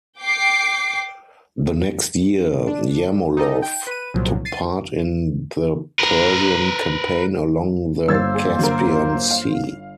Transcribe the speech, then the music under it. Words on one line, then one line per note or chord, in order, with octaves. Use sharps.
The next year, Yermolov took part in the Persian Campaign along the Caspian Sea.
G5 D6 C7
D4
D#4 G4 A4 D#5
G5
B4 D#7
C2 A#2 F3 F#3
A6 C7 D#7
A#4 B4
G1 A#3 C5 E6 G#6 A6
G#4
F#2 D3 A#4
F5